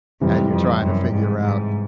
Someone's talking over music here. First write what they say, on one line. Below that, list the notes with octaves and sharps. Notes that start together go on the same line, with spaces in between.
and you're trying to figure out
F2 C3 E3 G3
F2
F#2
G#2
G#2